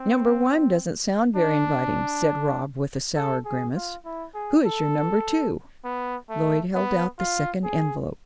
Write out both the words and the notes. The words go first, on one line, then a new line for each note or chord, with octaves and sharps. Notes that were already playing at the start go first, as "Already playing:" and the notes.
"Number one doesn't sound very inviting," said Rob, with a sour grimace. "Who is your number two?" Lloyd held out the second envelope.
Already playing: C4
D4
A4
G#4
F4
E4
G#4
A4
B3
A3
B3
F4
G#4